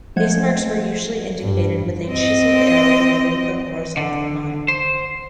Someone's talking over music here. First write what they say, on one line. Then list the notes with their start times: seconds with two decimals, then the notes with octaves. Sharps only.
These marks were usually indicated with a chiseled arrow below the horizontal line.
0.16 F3 G#3 A3 C5 F#5 G#6
1.40 G2
2.08 C4 D#5
3.97 D3
4.68 C5